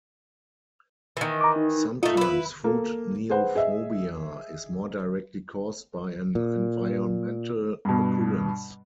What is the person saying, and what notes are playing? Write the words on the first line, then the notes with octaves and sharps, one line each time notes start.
Sometimes food neophobia is more directly caused by an environmental occurrence.
D#3 E3
A#5 D6
D#4
A3 D#4 F4
E4 B4
A#3 A4
G#4 B4 C5 F#5
G#4 D#5 E5
A#2
G2 B2